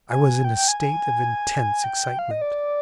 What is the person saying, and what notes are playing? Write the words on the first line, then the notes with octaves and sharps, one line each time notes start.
I was in a state of intense excitement.
G#5
G5
G5
G#5
G#5
G5
F5
D#5
D5